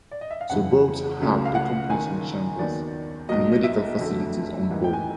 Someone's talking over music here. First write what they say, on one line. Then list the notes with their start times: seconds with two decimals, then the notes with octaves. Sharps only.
The boats had decompression chambers and medical facilities on board.
0.11 D5
0.21 D#5
0.31 E5
0.41 F5
0.50 F1 F2 C#3 E3 F#5
1.20 C#2 C#3 F#3 A3
1.46 F5
1.55 F#5
1.89 F#1 F#2 D#3 G#5
2.59 D#2 D#3 F#3 B3 D5
3.29 B1 A#2 F#3 D#5
3.52 D#5
3.64 E5
3.99 F1 F2 D3 F#3 A3
4.68 A1 G#2 E3 G3 A#3
4.84 G5
4.93 G#5